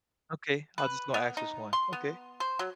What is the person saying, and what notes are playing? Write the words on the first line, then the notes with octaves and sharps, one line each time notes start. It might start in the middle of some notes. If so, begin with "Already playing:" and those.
Okay, I was just gonna ask which one, okay.
B4
B3
D#4
C6
B3
C5
F#3